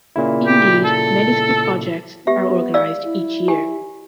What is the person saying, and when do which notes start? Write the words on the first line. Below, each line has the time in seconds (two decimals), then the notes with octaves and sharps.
Indeed, many school projects are organized each year.
0.16 A#2 C#3 E4
0.46 G4
0.84 A4
2.27 B3 G4 E5
2.74 D5 F5 E6
3.06 E4
3.48 G4 G#5